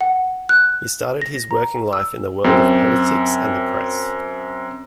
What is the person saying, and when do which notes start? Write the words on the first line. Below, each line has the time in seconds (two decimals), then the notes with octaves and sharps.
He started his working life in the world of politics and the press.
0.01 F#5
0.49 F#6
1.22 A#6
1.51 A#5
1.93 E6
2.44 F#2 C4